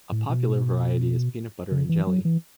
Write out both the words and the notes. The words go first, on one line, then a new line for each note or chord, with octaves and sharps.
A popular variety is peanut butter and jelly.
A2
B2
C#3
E3
F#3
E3